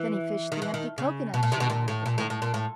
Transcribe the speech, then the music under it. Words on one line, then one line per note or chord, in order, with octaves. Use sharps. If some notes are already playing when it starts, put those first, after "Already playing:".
Then he fished the empty cocoanut shell out of the pot.
Already playing: E3
D#3
E3
D#3
C#3
B2
A#2
C3
B2
A#2
A2
A#2
A2
A2
A#2
A2